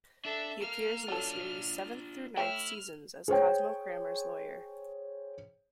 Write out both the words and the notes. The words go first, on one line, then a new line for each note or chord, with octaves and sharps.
He appears in the series' seventh through ninth seasons as Cosmo Kramer's lawyer.
D4 A4 E5
A#3 F5 F6
F#3 D4 F4 A4
A3 E4 C#5 G5 F6
G#4 C5 C#5 G5